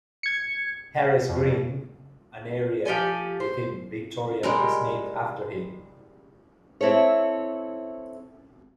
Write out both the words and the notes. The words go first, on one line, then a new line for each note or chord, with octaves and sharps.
Harris Green, an area within Victoria, is named after him.
G#6 C#7
F2
F3 G4 A4 G#5
C5
G3 G#3 A#4
C4 E4 A4 C#5